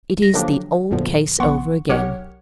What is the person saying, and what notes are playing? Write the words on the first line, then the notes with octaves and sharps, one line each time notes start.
It is the old case over again.
C2 A#6
D3 F3 F#3 A#3 D4 G4
A#1 E2 A#2 D3 F3
A#1 B3 F#5 C6 C#6
B1 G4 A#4 C#5 F#5 F6